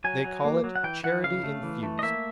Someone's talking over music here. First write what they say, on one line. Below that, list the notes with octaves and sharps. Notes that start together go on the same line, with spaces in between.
They call it "charity infused."
F#3 G#5
F#3
A#3
F#3
F#5
E3 G5
E3 F#5
C#3 F5
A3
E3
A3
D#5
A#3 E5